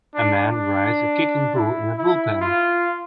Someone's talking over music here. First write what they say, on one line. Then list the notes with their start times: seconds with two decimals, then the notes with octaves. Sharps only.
A man rides a kicking bull in a bullpen.
0.15 D4
0.43 D4
1.56 E4
1.98 E4
2.41 F4